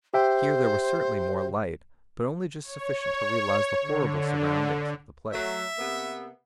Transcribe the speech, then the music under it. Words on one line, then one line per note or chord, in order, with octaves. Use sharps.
Here there was certainly more light, but only just sufficient to realise the horrible surroundings of the place.
G4 C5 E5 G5
C#5
D3
F#3 A3 E5
C3 A#3 B3